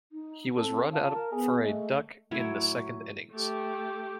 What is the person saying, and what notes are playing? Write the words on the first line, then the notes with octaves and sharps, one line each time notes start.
He was run out for a duck in the second innings.
D#4
C4 A4
F4 A5
A#4
B3 G#4
G#3 A3
A2 F#3 E4 C#5
A3 G4